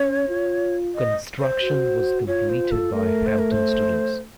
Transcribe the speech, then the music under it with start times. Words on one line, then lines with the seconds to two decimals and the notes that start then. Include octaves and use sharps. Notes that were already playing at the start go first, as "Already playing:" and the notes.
Construction was completed by Hampton students.
Already playing: C#4 C#5
0.29 F4
0.95 D#5
1.39 C5
1.61 F#4
2.27 F4 C#5
2.49 C5
2.71 A4
2.93 A3 A#4
3.27 C5
3.39 A#4
3.52 C5